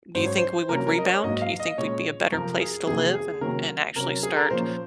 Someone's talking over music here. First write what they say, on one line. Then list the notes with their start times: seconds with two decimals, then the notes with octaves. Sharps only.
do you think we would rebound? Do you think we'd be a better place to live and and actually start
0.15 G#2 F#3 C#4 C5
0.26 C#5
0.38 C5
0.69 C3 F#3 A#3 C#4 A#4
0.87 A#4
0.98 D#5
1.05 C#5
1.24 G#2 F#3 A#3 D#5
1.42 F5
1.60 D#5
1.78 A#2 G#3 C#4 C#5
2.32 F2 C3 F3 C4 A#4
2.60 G#4
2.87 F2 C3 D#3 A#3 G#4
3.14 G#4
3.41 C3 D#3 F#3 A#3 C#4 A#4
3.95 C3 F#3 C#4 A#4
4.23 G#4
4.37 A#4
4.50 A#2 F3 A#3 C#4 C5